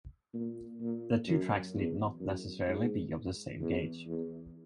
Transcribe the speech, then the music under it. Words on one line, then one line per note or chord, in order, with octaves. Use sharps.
The two tracks need not necessarily be of the same gauge.
A#2
A#2
F#2
E2
F#2
G#2
E2
E2